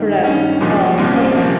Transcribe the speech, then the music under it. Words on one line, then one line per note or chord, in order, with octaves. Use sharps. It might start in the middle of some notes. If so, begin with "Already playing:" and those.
for that, um, company.
Already playing: G2 D#3
D#4
G2 D#3 C#4
C2 A#2 F3
C2 A#2 F3 C4
C#4
C4
C3 F3 A#3